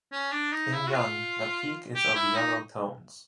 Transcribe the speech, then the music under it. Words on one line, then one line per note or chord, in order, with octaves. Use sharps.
In young, the peak is of yellow tones.
C#4
D4
D#4
E4
F#4
F4
G4
E4
D#4